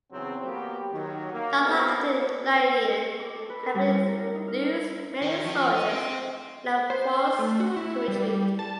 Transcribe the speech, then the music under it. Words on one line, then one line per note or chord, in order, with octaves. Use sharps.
Not long after the Lydian cavalry lose many soldiers and are forced to retreat.
E2 C#3 F#3 C4
F#3 A#3 B3 G4
D#3 F#3
A#3
B3 C4 E4 F#4 A4 A#4
D6
A4
B4
A#4
G3
E4
A#4
A#4
D#4
F6
D#3
F3
D#4
C4
C5
A3
F#4
E4
G3
A5